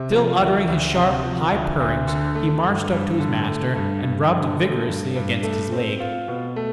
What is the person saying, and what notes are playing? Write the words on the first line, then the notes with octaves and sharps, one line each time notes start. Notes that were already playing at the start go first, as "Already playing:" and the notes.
Still uttering his sharp high purrings he marched up to his master and rubbed vigorously against his legs.
Already playing: C3
F3
D2
D2
C3
F3
D2
D2
D3
A3
G2
G2
D3
A3
G2
G2
D3
A3
G2
G2
A3
C4
F4
B2
A3